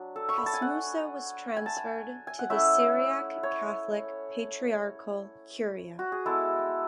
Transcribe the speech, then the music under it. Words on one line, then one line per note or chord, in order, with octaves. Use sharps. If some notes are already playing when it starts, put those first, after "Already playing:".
Casmoussa was transferred to the Syriac Catholic Patriarchal Curia.
Already playing: F#3 D4
A4
C#6
B5
A5
G#5
F#5
G#5
A5
G#5
G#5
F#5
A3 C#4 E4 E5
C#5
F#4
G#4
G#3 B3 E4 A4